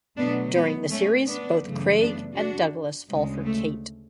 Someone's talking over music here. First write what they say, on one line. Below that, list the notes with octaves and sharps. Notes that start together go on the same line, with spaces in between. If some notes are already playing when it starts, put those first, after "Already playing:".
During the series, both Craig and Douglas fall for Kate.
B2 F#3 A3 B3 D4
B3
A3 C#4
B3 D4
F#2 C#3 E3 A3
B3 D4
D4 F#4
D2 C#3 G#3
A3